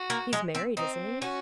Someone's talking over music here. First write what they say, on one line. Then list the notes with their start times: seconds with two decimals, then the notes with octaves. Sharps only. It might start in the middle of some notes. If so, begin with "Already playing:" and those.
'He's married, isn't he?
Already playing: F#4
0.10 A#3
0.33 G#3
0.55 C4
0.77 C4 D#4
1.21 C#4 F#4